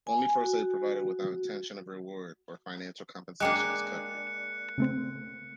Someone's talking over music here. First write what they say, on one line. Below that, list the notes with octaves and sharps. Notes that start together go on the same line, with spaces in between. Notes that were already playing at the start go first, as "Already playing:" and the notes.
Only first aid provided without intention of reward or financial compensation is covered.
G#5
F#4
G#3 A#3 D4 D#5 G5 F#6 C#7
C#3 A3 C4